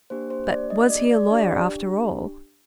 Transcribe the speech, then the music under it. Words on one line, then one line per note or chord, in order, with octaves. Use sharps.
But was he a lawyer after all?
A#3 D4 G4 C5
C5
D5
D#5
D5
D5
D4 G4 D5